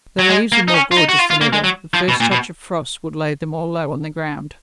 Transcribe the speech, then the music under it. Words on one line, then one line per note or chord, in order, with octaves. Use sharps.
The leaves were more gorgeous than ever; the first touch of frost would lay them all low on the ground.
F#3
G#3
A#3
D#4
C#4
F4
D#4
F#4
F4
F4
A#3
G#3
F#3
F3
B2
A#2
B2